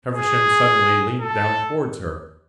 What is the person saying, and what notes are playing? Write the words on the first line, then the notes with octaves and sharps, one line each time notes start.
Feversham suddenly leaned down towards her.
G#4
A4